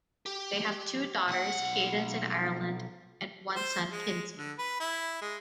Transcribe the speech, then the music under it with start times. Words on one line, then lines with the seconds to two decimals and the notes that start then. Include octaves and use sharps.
They have two daughters, Cadence and Ireland and one son Kinzy.
0.26 G4
1.28 B1 F#5
3.56 C5
3.91 G#3
4.37 D3
4.58 B4
4.80 E4
5.22 G#3